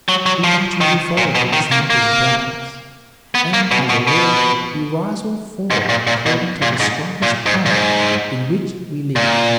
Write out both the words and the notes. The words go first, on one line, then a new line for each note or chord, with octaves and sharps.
We naturally follow the examples about us, and, as a rule, we rise or fall according to the strongest current in which we live.
F#3
F#3
F3
D#3
A#2
B2
D#3
A#3
A#3
B3
A#3
B2
B2
B2
G#2
A#2
A#2
B2
A#2
G#2
A#2
G#2
A#2
G#2
A#2